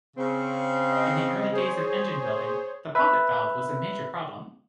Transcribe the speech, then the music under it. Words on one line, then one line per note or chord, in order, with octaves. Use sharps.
In the early days of engine building, the poppet valve was a major problem.
C#3 C4
D#5
G#4 C5 C#5
B4 E5